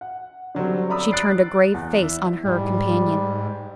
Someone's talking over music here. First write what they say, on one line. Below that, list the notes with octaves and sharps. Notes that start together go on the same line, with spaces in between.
She turned a grave face on her companion.
F#5
D3 F#3 G3 C4
D5 A#5 B5 D#6 E6
F#6 A6 C7 D7
E2
E4
G#2 G3